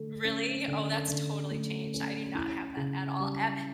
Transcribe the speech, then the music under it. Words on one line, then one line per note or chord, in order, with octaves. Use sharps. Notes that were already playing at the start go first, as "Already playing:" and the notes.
Really? Oh, that's totally changed, I do not have that at all a
Already playing: D3 A3
C#4
D3
D3
A3
C#4
E4
C#3
G3